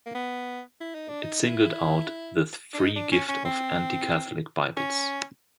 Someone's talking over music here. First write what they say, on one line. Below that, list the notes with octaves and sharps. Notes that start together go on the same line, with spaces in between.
It singled out the free gift of anti-Catholic Bibles.
A#3
B3
E4
D#4
D4
D#4
D#4
E4
D4
D#4
D4
C#4
C#4
C4
C#4